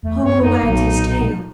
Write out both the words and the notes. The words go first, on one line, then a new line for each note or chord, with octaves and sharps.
Homo wagged his tail.
E2 A3
G2 C#5
F#2 D#4
B1 A#2